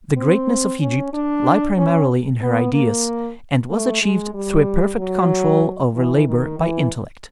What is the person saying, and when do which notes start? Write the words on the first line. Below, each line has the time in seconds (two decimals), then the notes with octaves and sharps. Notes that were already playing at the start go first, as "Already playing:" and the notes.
The greatness of Egypt lay primarily in her ideas, and was achieved through a perfect control over labor by intellect.
0.17 C4
0.81 C#4
1.13 D4
1.77 C#4
2.42 B3
2.73 A#3
3.70 A3
4.02 G#3
4.34 G3
4.98 F#3
5.95 E3
6.27 D#3
6.59 E3